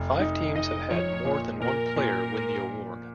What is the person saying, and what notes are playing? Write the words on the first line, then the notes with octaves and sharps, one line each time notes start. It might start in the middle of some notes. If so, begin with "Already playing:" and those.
Five teams have had more than one player win the award.
Already playing: F1
D#4
D#4 D#5
F3 C#5
A#2
A#2 A#4
A#2